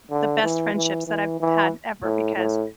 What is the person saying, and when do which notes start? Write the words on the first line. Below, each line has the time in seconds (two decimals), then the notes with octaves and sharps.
the best friendships that I've had ever because,
0.10 D3
0.43 E3
0.75 E3
1.07 E3
1.40 E3
2.04 A2
2.36 A2